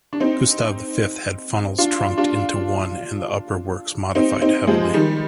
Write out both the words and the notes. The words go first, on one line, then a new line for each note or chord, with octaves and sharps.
Gustav V had funnels trunked into one and the upper works modified heavily.
D4
C4 D#4
D4 F4
D4 F4
C4 D#4
C4 D#4
F3 G#3
D#3 G3